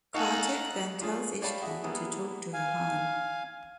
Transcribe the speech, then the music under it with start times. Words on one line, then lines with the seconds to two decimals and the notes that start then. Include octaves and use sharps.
Kartik then tells Ishqi to talk to Ahaan.
0.14 D#4 A4 F5 F#5 G#5 A#5 C#6 F#6
1.00 D4 F4 G#4 C#5
1.42 C#5 D5 F5 G5 A5 B5
1.62 F#4 G#4 E5
1.83 G3 A#3 B3 D4 E4 G#4
2.53 F5 G#5